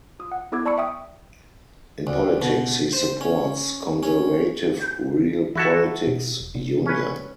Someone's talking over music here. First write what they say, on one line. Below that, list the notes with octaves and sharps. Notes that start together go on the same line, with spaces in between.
In politics he supports conservative Real Politics Union.
F4 D#6
F#5
B3 E4 A4 D6 E6 G#6
D5 A5 B5 C#6 E6 C#7
E5 G5 D#6
D2
B2
C5
C#4
C#4
E3 E4 F#4 A4
B2
E1
C3
C#4 B4